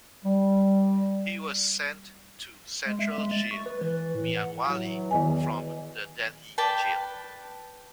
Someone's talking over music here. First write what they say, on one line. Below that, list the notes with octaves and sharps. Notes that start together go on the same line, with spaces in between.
He was sent to Central Jail Mianwali from the Delhi jail.
G3
G#3
E5
G#3
A6
C#6
B4
E3
A2
F#5
E3 F#3
E2 D#3 D#5 G#5
B4 D5 G5 A5